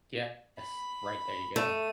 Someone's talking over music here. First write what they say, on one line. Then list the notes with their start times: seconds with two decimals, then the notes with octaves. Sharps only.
Yes. Right, there you go.
0.59 B5
1.56 A3 D#7